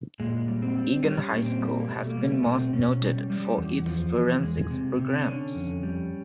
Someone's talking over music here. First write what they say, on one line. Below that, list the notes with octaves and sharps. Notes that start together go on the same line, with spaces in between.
Eagan High School has been most noted for its forensics programs.
A#2 G#3
G3
C4
G3
G3 C#4
A#2
C4
G3
A#3
B2 A3
A#3
G3
A#3
A3
B2 B3
C4
B2 C#4
G3
G3
E2
F3
E2
G#3
C3
C3
D4
D3 C#4
F2
G3